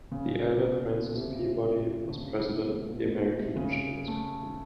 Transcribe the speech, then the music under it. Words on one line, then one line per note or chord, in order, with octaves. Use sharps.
The elder Francis Peabody was president of the American Insurance Company.
C#3
B2
A#2
B2
C3
C#3
C3
D3
C#3
C3
B2
A#2
A#2
B2
B2
C3
C#3
A3